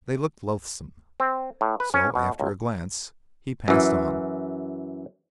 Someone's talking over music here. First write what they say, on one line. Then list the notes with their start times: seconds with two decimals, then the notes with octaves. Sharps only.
They looked loathsome, so after a glance, he passed on.
1.20 C4
1.61 A2
1.80 B4
1.94 C#4
2.15 B2
2.40 C#2
3.68 F#2 E3